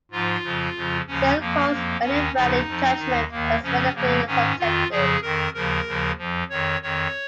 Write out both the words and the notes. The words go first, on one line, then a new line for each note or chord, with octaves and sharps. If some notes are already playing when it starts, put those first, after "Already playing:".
Searle calls any value judgment epistemically subjective.
G#2 F3 F4
F2 C#3 F3
F2 C#3 F3
D#2 C#3 F3 C#4
F2 F3 A#3
F2 F3
D#2 D#3 C#4
D#2 C#3 F3 D#4
F2 F3
D#2 D#3
D#2 D#3 A#3
F2 C#3 F3 C#4
F2 C#3 F3 A#3
G#2 D#3 C#4
F2 D#3 F4
F2 C#3 F3 G#4
F2 D#3 A#4
D#2 C#3 F3 A#4
D#2 C#3 F3
F2 F3
F2 D#3 C#5
F2 D#3 C#5